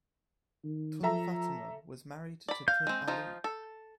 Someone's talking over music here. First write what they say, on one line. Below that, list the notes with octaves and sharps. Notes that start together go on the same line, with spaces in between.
Tun Fatimah was married to Tun Ali.
D#3
F3 A4 E5 A#5
D5 B5
F5 G6
G#3 C4
F3 D#4 F4
A4